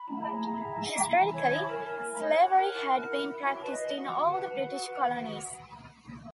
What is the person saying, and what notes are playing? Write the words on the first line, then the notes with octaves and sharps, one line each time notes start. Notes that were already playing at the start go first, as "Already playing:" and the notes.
Historically, slavery had been practiced in all the British colonies.
Already playing: B5
E4
G#4 A#5
E4
G#4
E4
E4
E4
C#5 G#5
E4
A#4
A#4
E4
C#5
C#5 F#5
A#4
E4
A#4
E4
E4
F#4 C#5
B4
D#5
B4
F#4 F#5
F#4
F#5
B4
B4
F#4
B4
B4
F#4